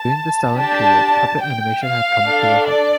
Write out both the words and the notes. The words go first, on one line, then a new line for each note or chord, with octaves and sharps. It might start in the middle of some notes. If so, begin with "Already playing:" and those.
During the Stalin period, puppet animation had come to a halt.
Already playing: A5
D4 G4 A5
G5
F5
D4 A4
D5